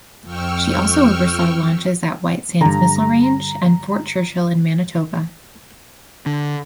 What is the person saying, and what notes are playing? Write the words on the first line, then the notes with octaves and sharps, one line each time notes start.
She also oversaw launches at White Sands Missile Range and Fort Churchill in Manitoba.
F2 G5 C#6 E6 F6
G2 D3 A#5
D3